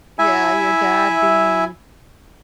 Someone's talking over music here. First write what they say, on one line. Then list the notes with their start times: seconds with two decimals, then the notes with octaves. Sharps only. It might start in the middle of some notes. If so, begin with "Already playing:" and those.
yeah, your dad being
0.19 E4 E5 G#5